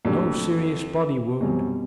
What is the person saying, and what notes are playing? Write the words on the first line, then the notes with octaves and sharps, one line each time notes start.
No serious body wound.
F2 A#2 F#3 A3 D4 G4
F#2 B2 G3 C4